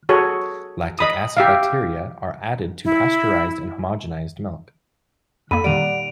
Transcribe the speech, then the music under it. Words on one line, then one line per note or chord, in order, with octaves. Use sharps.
Lactic acid bacteria are added to pasteurized and homogenized milk.
F#4 G#4 A4 C#5
D#5 B5 D#6
G4 E5 F5
E4
F2 A#3 A4 B5 D#7
A#2 D#3 G3 D5 F#5 D7 D#7 F7